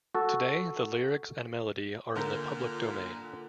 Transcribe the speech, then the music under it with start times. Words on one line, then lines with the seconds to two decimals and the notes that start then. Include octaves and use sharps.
Today, the lyrics and melody are in the public domain.
0.15 F#4 A4
2.16 A#2 D3 A#4 G6